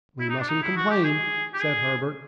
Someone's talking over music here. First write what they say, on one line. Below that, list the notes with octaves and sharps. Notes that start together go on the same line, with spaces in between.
"We mustn't complain," said Herbert.
E4
D#4
D4
D#4
E4
F#4
G4
G#4
G4
G#4